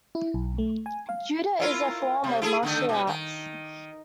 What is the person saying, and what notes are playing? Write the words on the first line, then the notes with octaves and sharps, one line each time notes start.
Judo is a form of martial arts.
E4
B1
A3
G#5
F5
E4 F4 A#4
C3
E4 G#4 A4
D3 D#3 A3
B2 C#4
D#3